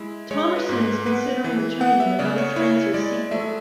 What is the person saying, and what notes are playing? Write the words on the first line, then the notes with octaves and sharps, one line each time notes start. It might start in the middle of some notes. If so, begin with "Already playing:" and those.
Thomerson is considering returning in another "Trancers" sequel.
Already playing: G#3 E4
G#3 C#5
B4
G#2
B4
B3 B4
E3
B3 F#5
E5
C#3 D5
C#5
E4 C#5
G#3 D5
A3 E5